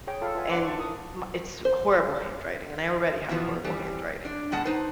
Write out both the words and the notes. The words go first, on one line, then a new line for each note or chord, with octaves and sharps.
and my it's horrible handwriting, and I already have horrible handwriting,
G#4 C#5 G5
F4 A4 F5 B5
F4 B4 E5 F#5 G#5
D4 B4 F#5 C6 D6
A5 C#6
E4 F4 A#4 D#6
C5
B2 E3 F3 B3
E3 G3 C4
D4
B2 G#3 F#5 A5
D#4 B4 C5